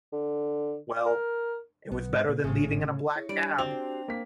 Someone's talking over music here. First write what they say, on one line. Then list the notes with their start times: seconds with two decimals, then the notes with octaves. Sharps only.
Well... it was better than leaving in a black cab.
0.12 D3
1.06 A#4
1.92 B1 B3
2.13 G#2
2.29 A#2
2.44 G#1 A2 C#3
3.16 E4 G#4 C#5
3.29 G3 D4 D5
3.58 C4 F#4 G4 C5 F7
4.08 A#3 B6